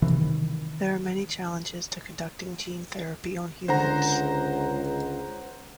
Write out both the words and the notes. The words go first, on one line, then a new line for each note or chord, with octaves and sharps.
There are many challenges to conducting gene therapy on humans.
C3 D#3 E3
C#2 D3 C5 F#5 A#5